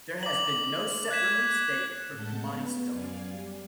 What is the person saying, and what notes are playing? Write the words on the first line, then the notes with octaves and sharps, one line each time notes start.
There has been no set release date for Camani's film.
D6 F#7
F#6 G#6 B6 E7
A2 G#3 F#5 A5 G6
B3
F#2 D5 F5 G#5
G3